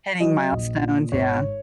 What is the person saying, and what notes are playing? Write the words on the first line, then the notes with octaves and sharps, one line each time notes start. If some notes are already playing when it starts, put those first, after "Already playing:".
Hitting milestones, yeah.
F#3 D#5
A#1
A#2
G#1 C#5